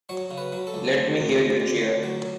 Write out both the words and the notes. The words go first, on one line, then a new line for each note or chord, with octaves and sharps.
Let me hear you cheer!
F#3 C#5
C#3
B4
F#3
A4
C#2
D2
D2
D2
D2
D2
F#3